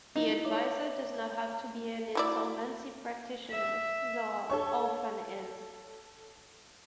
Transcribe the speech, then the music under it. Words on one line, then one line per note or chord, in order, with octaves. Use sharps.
The adviser does not have to be an insolvency practitioner, though often is.
D#4 E4
C#5 E5 D6
F#3 E4 D5
E5
A4 C#5 C#6